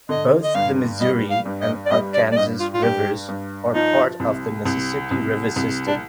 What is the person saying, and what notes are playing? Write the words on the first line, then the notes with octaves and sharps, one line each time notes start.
Both the Missouri and Arkansas rivers are part of the Mississippi River system.
D3 D#5
D#5
G2 F5
G3 D#5
F5
G2
D#5
D5
G3 D#5
D5
D5
G2 D#5
F4
F4
G2 G4
G2
F3 D#4
C2
C2
C2
C2
D4